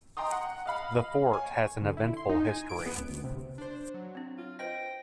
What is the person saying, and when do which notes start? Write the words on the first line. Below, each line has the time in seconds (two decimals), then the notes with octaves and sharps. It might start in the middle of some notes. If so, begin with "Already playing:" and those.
The fort has an eventful history.
0.17 D#5 G5 A#5 C6 D#6
0.32 F#5
0.66 D#5 F5 B5
1.32 C#5 G#5
1.82 D3
1.97 E4
2.17 C6
2.29 D#4
2.45 G#5
2.69 D7
2.86 B3
2.98 C#2
3.10 D2
3.24 C3
3.58 D4 C5
3.94 F#3
4.15 C4 D4
4.37 F4
4.59 B4 C5 D#5 G5 A#6